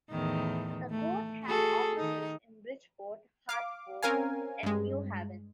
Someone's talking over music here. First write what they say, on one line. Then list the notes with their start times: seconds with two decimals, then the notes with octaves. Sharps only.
The court has offices in Bridgeport, Hartford, and New Haven.
0.10 E2 A2 D#3
0.90 A3
1.44 F#4 G#4 A4
1.96 D#3 D#4
3.49 F5 D6
4.03 C4 C#4 A#4 F5 G#5
4.63 G2 G#3